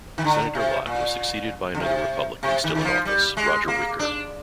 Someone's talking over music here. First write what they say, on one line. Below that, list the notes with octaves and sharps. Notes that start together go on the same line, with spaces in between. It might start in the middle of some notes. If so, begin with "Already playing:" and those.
Senator Lott was succeeded by another Republican still in office, Roger Wicker.
D#3
D3
C3
A#2
D3
C3
C3
D#3
D#3
F3
G3
G#3
A#3
D4